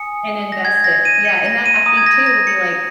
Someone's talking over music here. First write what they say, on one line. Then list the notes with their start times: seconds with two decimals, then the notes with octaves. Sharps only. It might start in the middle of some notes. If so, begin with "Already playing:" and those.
and invest it," yeah, and that I think too would be like
Already playing: G#5 D#6 C#7
0.52 A#6
0.65 G#6
0.84 A#6
1.05 D#7
1.25 C#7
1.46 A#6
1.66 D#7
1.86 A#5 D#6 D#7
1.97 G#6
2.06 A#6
2.26 A#6
2.47 C#7